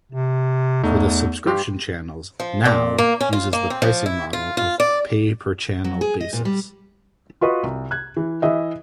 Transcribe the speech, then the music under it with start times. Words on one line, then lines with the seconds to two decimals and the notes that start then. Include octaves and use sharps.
For the subscription channels, "Now" uses the pricing model of pay-per-channel basis.
0.12 C3
0.83 E2 A3 D#4
1.46 G2 G4 C6
2.40 F3
2.65 A#2
2.98 A#3
3.21 C#4
3.33 F4
3.53 A#3
3.70 C4
3.82 F3
4.06 E4
4.33 F4
4.57 F4
4.80 D5
5.84 F#3
6.01 G#4
6.20 D#5
6.33 A#2
6.45 G3
7.41 F4 F#4 B4 D#5
7.63 C2
7.91 F#6 G#6
8.17 E3
8.42 E3 D#5 E5